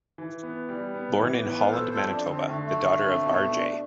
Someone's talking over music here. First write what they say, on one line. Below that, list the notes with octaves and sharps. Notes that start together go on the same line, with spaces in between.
Born in Holland, Manitoba, the daughter of R. J.
E3
B3
G3
B3
E3
B3
F5
A3 C5 E5
A4 C5
F2
D4
D3
C4
D3 A3
A3
D3
C4
B2
D4